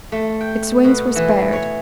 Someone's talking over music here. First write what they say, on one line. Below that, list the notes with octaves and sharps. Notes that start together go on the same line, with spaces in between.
Its wings were spared.
A3
G5
B2
E3
C#5